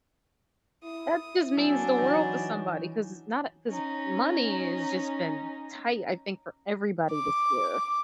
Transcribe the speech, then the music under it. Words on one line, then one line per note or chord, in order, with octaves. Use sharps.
that just means the world to somebody 'cause it's not a 'cause money has just been tight, I think, for everybody this year,
E4 D#6
F#3 C4 D4 A4 G#5
E3 D#4
C#4 D#4
D6